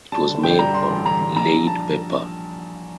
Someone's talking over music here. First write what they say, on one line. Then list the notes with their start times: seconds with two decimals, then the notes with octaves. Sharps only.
It was made on laid paper.
0.12 G3 A5
0.28 D3
0.43 G2 G5
0.59 G3 A#5
0.74 D3 C6
0.90 A1
1.06 G3 A#5
1.21 G3
1.36 A#1 A#5
1.52 G3
1.67 A5